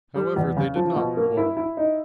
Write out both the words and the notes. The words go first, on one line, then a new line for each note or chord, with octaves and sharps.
However, they did not quarrel.
G3
E2
C#3
F3
B2
A#3
E4
E4
D#4